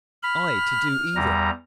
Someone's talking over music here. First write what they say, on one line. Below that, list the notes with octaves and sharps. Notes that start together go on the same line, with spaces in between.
I, to do evil!
B5 F6
E2 G3 A#5